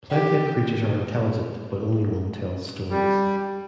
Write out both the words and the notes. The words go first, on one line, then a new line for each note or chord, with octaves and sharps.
Plenty of creatures are intelligent but only one tells stories.
G4
G3